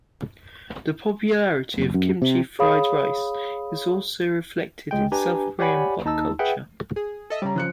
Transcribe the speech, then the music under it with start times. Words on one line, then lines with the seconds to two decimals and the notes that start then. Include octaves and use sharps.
The popularity of kimchi fried rice is also reflected in South Korean pop culture.
1.78 F#1
1.94 F#2
2.22 C3
2.59 G#4 C#5 F5 B5 D#6
4.91 C#2 G#3 G5
5.12 D4 G4 B4 G#5 A#5
5.59 G4 C#5 D5 F#5 G#5 B5
6.05 D#2 D#4 A5 E6
6.39 G#4 B4 E5 F#5 G5
6.96 G#4
7.30 A4 D#5 E5
7.42 C#3 G3 C#5 A#5
7.56 C#3 F3 F#6 C#7